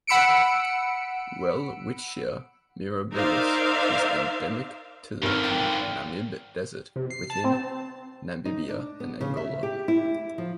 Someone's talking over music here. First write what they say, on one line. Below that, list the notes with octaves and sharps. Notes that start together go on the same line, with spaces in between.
"Welwitschia mirabilis" is endemic to the Namib desert within Namibia and Angola.
F#5 B5 E6 C#7 D7
D#4 A#4 C5 D5 E5 F5
G#1 G#2 D3 F6
F4 G5
C3
C7
A5
C4
D#4
D4
B3
C#3
E5
G4
E4
F3